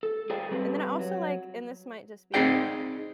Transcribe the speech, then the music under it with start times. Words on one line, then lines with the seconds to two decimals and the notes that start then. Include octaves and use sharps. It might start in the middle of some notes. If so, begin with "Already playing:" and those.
Yeah. And then I also, like, and this might just be, like,
0.03 A4
0.30 G#4 C5 D5 G5
0.51 G3 C4 G4 B4
0.99 F#3
2.34 C4 D#4 G#4 D5 G5